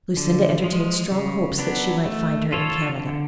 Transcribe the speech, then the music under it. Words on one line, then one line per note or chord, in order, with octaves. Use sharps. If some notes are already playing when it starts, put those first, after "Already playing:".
Lucinda entertained strong hopes that she might find her in Canada.
D3
F3 G#3
C#3
F#3 B3 D4
A3
F4 A4 C#5
D3